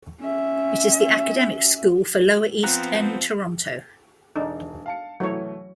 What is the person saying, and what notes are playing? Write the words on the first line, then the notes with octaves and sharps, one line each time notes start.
It is the academic school for lower east end Toronto.
C#4 E5
F3 B3 C4 A#5 F#6
E1 D4 D#4
F5 A5 C#7
C2 E3 F#3 A3 C#5